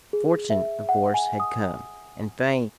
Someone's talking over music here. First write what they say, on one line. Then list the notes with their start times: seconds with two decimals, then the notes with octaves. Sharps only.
Fortune, of course, had come, and fame.
0.13 G#4
0.50 E5
0.89 F#5
1.14 G#5
1.40 D#6